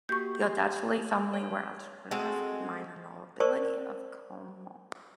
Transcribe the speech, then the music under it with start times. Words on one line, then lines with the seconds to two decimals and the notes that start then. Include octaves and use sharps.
The Odescalchi family were entrepreneurs with the minor nobility of Como.
0.09 A#3 F#4 G4 C#6 G6
0.49 G4
1.34 C#5
2.11 G#3 C4 F#4 A4
3.40 A#4 C5 D5 A5 C#6 D#6